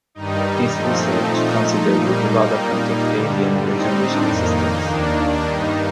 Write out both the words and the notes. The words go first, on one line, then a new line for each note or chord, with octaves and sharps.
His research considers the development of avian recognition systems.
G2 D#3 G3 D#4
A#2 F3 A3 C4
A#2 F3 A3 D#4
D#4
A#2 G3 A#3 D#4
A#2 G3 A#3
G2 D3 G3
A2 G3 C4 D#4
D4
F2 D#3 A#3 D#4
D#4
D#2 D#3 A#3 D4
G2 D#3 G3 D#4